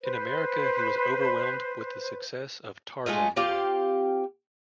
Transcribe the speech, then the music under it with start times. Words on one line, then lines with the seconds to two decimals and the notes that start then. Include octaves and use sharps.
In America, he was overwhelmed with the success of "Tarzan Boy".
0.02 B4 C5
3.06 G#3 A3 F4 D#5
3.36 C4 F4 G4 F5